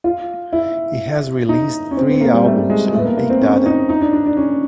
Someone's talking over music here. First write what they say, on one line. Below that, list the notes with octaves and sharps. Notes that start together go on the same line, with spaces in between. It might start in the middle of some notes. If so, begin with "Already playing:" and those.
He has released three albums on Big Dada.
F4
E4
D#4
C#4
C4
B3
A#3
G3
A3
G#3
G#3
A3
B3
A#3
A#3
C4
C#4
D#4
D#4
D4
D4
D4
C#4